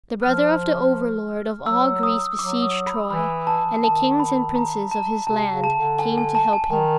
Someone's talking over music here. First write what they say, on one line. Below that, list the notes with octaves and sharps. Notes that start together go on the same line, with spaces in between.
The brother of the overlord of all Greece beseiged Troy, and the kings and princes of his land came to help him.
F3 F6
F#3 E6
D#6
F#3 D6
D#6
B5
E3 B5
A5
D#3 A5
B5
A#5
A5
C3 A5
C#3
A5
D3
G#5
G#5
A5
G#5
D#3 G#5